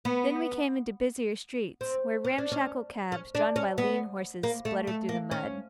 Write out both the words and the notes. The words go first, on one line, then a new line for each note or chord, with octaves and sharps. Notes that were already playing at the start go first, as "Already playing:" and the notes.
Then we came into busier streets, where ramshackle cabs drawn by lean horses spluttered through the mud.
B3
C4
C#4
D4
C#4
C#4
D4
C#4
B3
A#3
A3
A3
A#3
C#4